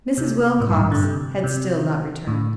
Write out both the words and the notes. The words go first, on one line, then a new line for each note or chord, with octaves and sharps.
Mrs. Wilcox had still not returned.
C3
A2
G2
G2
D3
C3
C3
A2